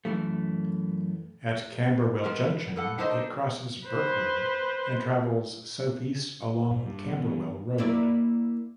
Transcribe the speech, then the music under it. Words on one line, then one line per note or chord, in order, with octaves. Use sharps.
At Camberwell Junction it crosses Burke Road and travels south east along Camberwell Road.
F#2 E3 A3
G#3 B3 A#4
G3 A4 F#5
D4 D#4 A4 C5 D5 D#5
B4 C5
G#2
G2
D#3 E3 B3
A#3 E4 D5